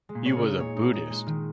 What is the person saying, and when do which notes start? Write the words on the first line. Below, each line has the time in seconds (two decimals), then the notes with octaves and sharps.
He was a Buddhist.
0.09 G#3
0.15 A#2
0.26 C#5
0.37 C#3
0.43 D#4
0.59 A#2 C#5
0.76 D#4
0.93 D#4
1.10 G#3
1.27 D#3